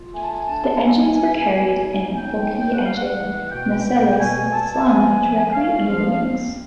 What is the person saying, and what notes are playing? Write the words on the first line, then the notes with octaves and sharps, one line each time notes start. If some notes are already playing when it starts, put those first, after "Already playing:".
The engines were carried in bulky engine nacelles slung directly under the wings.
Already playing: F4
A3 G#5
A5
G#5
D4 A5
G3 G#5
B2
G3
D#4
C#3 G5
G5
C#3
G5
F#5
G3 F5
F#5
E3
B2 G5
B2
G5
B2 G#5
B2 A5
F3 G#5
F3
C#4 F5
F3 F5
C4